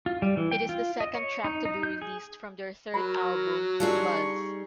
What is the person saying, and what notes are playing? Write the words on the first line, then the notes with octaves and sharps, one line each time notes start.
It is the second track to be released from their third album "Buzz".
F4
G3
E3
G5
F4
D#5
C#5
D#4
D#4
G6
G#4
F#3 A#4 B5
G3 D4 D#4 F4 G#4 A4 C#6